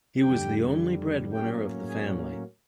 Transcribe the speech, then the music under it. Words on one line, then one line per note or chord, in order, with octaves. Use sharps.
He was the only breadwinner of the family.
F2 D3 G3 G4 G5
A2 F#3 A#3 C#4 G4 G5
G#4 G#5